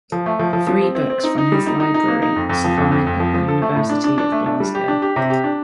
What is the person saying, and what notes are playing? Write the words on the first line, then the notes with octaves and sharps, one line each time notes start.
Three books from his library survive at the University of Glasgow.
F3
A3
F3
F3
F3
C4
C4
C4
D#4
D#4
G3
D#4
D#4
D#4
A#3
D#4
F2
F2
F3
F2
F2
F2
F3
F3
A4
A3
A2
D4
D4
D4
A3
D4
G3
G4
D4
G4
C3
G4
D4